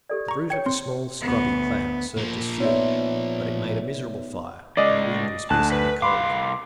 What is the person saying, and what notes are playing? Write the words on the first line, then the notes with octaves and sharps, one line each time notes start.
The root of a small scrubby plant served as fuel, but it made a miserable fire, and the wind was piercingly cold.
G4 A4 D5
A#5 C#6
C#5 G5 G#6 C#7
C4 C6
D2 B3
F3 A#3
B3 D#4 C#5 D5 E5
C#3 G#3 D5 D#5
D2 A5 F#6
B4
C2 F5 B5 C6 D6